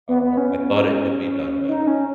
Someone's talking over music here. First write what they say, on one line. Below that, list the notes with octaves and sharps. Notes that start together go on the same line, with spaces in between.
Uh, I thought it could be done better.
B3
B3
C#4
D#4
C#4